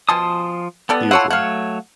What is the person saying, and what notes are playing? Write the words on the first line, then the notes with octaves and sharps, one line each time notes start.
You as well.
B2 F3 G#5 A5 C6 D#6
G3 B3 A4 D5
E4 F4 A4 C#5 F#5
F#3 A3 C#5 F5 F#5